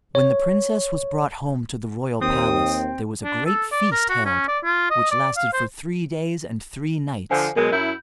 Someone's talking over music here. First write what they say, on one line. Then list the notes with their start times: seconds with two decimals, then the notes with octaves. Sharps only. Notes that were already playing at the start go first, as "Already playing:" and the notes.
When the princess was brought home to the royal palace there was a great feast held which lasted for three days and three nights.
0.15 C#5
2.21 D#2 C4 G5 D#6
3.23 D4
3.46 A4
3.72 D5
3.92 A#4
4.10 F#4
4.26 C#4
4.48 D5
4.64 F4
4.90 D#5
5.11 D5
5.37 F5
5.53 C5
7.31 D3 F3 C5 G#5
7.56 B2 F#3 G#3 A#4
7.73 F#2 F#3 E4 G6